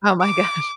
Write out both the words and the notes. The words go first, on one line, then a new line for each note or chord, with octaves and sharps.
Oh my gosh,
D6